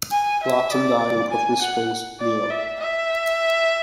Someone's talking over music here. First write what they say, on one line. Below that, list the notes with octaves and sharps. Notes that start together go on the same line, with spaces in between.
Lawton died in Clifton Springs, New York.
G#5
E5
D5
G#5
F#5
D5
E5
E5